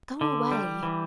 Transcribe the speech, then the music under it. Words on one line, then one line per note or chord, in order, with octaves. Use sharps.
Go away!
D3
G3
E3